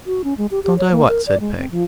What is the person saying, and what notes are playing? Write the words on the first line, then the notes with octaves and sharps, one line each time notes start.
'Don't I what?' said Peg.
F#4
C#4
G#3
G4
G4
C#5
A#3
A#4
D5
G#3
C4
F3